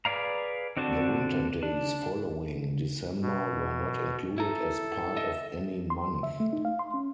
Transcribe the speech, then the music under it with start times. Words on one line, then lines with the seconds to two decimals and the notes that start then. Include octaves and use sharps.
The winter days following December were not included as part of any month.
0.05 G#4 B4 D5 F5 A#5
0.77 D3 C4 D4 F#4 A4
1.63 D4
3.21 B2
4.38 E4 A4 A#5
5.17 D#5 E5
5.90 C6
6.23 E5
6.40 A3
6.53 D#4
6.65 F5
6.79 C6
6.94 C#4